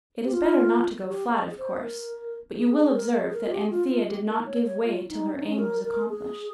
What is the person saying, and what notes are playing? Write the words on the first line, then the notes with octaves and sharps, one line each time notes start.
It is better not to go flat, of course, but you will observe that Anthea did not give way till her aim was accomplished.
G4
F4
G4
G#4
C5
A#4
G#4
G#4
A#4
G#4
A#4
F4
G4
F4
F4
G4
A#4
C#5
C#5
F4
D#4
C#4
D#4
C#4
A#4
A#4
G#4